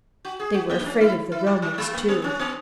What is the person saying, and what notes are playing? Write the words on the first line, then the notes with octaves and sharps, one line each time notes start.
They were afraid of the Romans too.
F#4
G#4
F#4
A#3
D#4
C#4
E4
E4
F#3
F#3
G#3
A#3
B3
C#4
B3